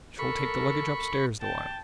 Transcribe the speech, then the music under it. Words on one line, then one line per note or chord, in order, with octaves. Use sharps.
'She'll take the luggage upstairs the while.
A4 A#4 B5 C#6
G5 A5